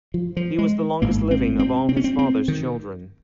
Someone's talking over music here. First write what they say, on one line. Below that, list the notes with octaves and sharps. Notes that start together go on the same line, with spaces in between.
He was the longest living of all his father's children.
F3
F3
G#3
G#1 G#2 A#3
C4
C4
C4
C#4
C4
C4
D#3